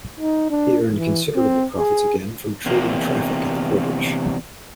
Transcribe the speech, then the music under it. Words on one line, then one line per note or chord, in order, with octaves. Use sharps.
He earned considerable profits again from trading traffic at the portage.
D#4
D4
E3
C4
G#4
E2 C3 A#3